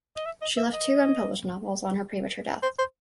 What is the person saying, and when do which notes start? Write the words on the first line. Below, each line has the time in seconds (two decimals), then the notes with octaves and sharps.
She left two unpublished novels on her premature death.
0.16 D#5
0.25 E5
0.41 D#5
0.57 E5
0.73 D#5
2.62 C5
2.79 C5